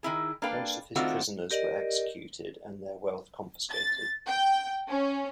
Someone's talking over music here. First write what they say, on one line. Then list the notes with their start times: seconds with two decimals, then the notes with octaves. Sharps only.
Most of his prisoners were executed and their wealth confiscated.
0.03 D#3 D#4 E4 G#4
0.42 A#3 D4 A4 B4 F5 G5
0.96 D#3 A3 C4 D4 F4 F#4
1.51 G4 A#4 D5 D#5
3.70 A6
4.26 G5
4.89 C#4